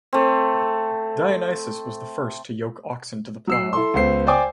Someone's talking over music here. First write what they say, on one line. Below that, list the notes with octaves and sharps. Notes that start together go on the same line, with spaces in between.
Dionysus was the first to yoke oxen to the plough.
A3 C4
F#3 E6 C7
E4 A4 C6
C#2 B3 C5 C7
C5 D5 G5 G#5 D6